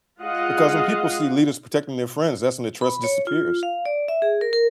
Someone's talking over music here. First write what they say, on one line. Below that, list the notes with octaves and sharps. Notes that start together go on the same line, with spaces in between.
because when people see leaders protecting their friends, that's when the trust disappears.
G#3 F4 G#4 D#5 F5 F#5
B5
C#5
F4
F5
D5
E5
G#4
A#4
A#4